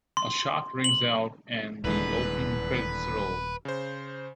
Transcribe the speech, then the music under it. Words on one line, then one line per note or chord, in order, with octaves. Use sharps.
A shot rings out and the opening credits roll.
C6
F#7
D#1 E2 D3 E3 G#3 B4
C#3 C5